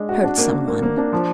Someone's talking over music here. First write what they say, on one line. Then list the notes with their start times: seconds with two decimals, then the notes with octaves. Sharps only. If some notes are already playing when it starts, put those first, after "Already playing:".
Hurt someone.
Already playing: G#3 D4
0.09 F#4
0.23 D4
0.38 A#3
0.53 A#3
0.67 A#3
0.82 A#3
0.97 D4
1.13 F3